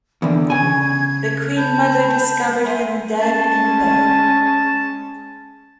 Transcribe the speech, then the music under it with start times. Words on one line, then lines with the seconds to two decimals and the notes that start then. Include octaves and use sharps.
The Queen Mother discovered him dead in bed.
0.22 E2 D3 G5
0.50 C#3 G#5 G#6
1.56 A5 B5 G6
2.65 E5 G#5 C6
3.22 G#3 C#4 A5